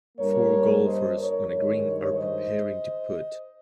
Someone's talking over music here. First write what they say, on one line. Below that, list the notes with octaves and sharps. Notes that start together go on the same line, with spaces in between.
Four golfers on a green are preparing to putt.
G2 G3 A#3 A#4 C#5
C5 D#5
A#4 C#5
G2 D#3 G#3 D#4 A#4 C#5
C5 D#5